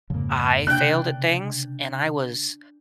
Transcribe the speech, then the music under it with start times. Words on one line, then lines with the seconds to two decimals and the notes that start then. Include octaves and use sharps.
I failed at things, and I was
0.10 F2 G#2 C#3 F3 A#3
0.67 C3 D4 G5 F#6